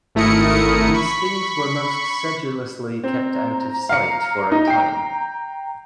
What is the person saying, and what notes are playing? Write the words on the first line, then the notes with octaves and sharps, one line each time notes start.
These things were most sedulously kept out of sight for a time.
G#1 A3 E4 A#4 D#6 C#7
B5 C#6
C4 A#5
F5 C#7
D#4
G5 C7